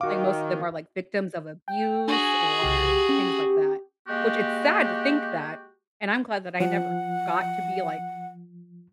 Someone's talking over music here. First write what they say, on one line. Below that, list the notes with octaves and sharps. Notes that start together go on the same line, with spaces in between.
Like, most of them are, like, victims of abuse or things like that, which it's sad to think that, and I'm glad that I never got to be, like,
D#3 F#4 F5 D6
G5 G6
D4 F#4 G#4 G#5
C2 C#3 G4 C7
C#4
G#3 A#3 F#4 G4
F3 F#5